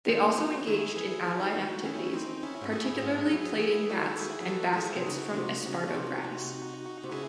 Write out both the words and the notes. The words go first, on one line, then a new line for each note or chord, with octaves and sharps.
They also engaged in allied activities, particularly plaiting mats and baskets from esparto grass.
D#3 G#3 C4
E3 D#4 F#4
D#3 E4 G#4
E3 E4 G#4
E3
D#4 F#4
D#3
E3
D#3 C#4 E4
C4 D#4
C#4 E4
G#2
A2 E4 G#4
G#2
F#3
D#3
E3 E4 G#4
F#4 A4
D#3
E4 G#4
F#3
E3 F#4 A4
F#3 F#4
E3 E4 G#4
C3
C#3 D#4 F#4
C#3
C3
C#3
C3
C3
C3
C#3 E4 G#4